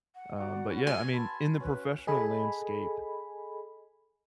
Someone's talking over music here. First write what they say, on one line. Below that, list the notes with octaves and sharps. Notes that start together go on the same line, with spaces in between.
Um, but yeah, I mean, in the professional landscape,
F#5
F#4 D5 A#5
C#4 F#4 B4
G#5
A5 B5 C6 E6
C#4 B4 C#5
G#4 A4 D#5 G#5 B5